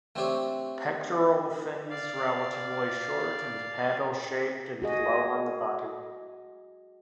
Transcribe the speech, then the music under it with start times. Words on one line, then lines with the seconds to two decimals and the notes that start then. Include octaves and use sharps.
Pectoral fins relatively short and paddle shaped and low on the body.
0.16 A3 C4 D4 G4 C5 C#5
1.90 D5 F5
4.82 F#4 G#4 D#5